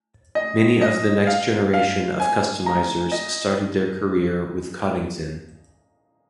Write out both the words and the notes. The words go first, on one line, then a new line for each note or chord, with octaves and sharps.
Many of the next generation of customizers started their career with Coddington.
D#5
D#5
F5
F5
G#5
A#5
D#5